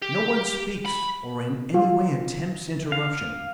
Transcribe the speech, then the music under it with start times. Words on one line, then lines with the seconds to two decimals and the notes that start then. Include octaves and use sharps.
No one speaks, or in any way attempts interruption.
0.02 G4
0.86 B5
1.74 F4
2.92 F5